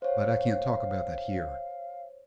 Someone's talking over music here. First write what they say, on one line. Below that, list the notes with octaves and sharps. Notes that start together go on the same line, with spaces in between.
But I can't talk about that here.
C5 C#5 F5